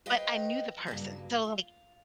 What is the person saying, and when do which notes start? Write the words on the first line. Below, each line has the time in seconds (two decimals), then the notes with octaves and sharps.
but I knew the person. So, like,
0.06 B4 C5 D#5 F5 G5
0.87 G2 C#3 F#3 A#3
1.44 F4